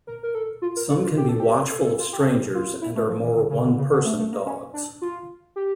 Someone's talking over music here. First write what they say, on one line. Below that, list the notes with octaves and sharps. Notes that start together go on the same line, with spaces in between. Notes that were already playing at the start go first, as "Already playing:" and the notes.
Some can be watchful of strangers and are more one-person dogs.
A#4
A#4
A4
F4
A#4
A4
F4
G4
A4
G4
A4
A4
F4
G4
A4
G4
F4
E4
A3
F3
E3
D3
C#3
D3
C#3
D3
A3
A3
A#3
C#4
D4
F4
G4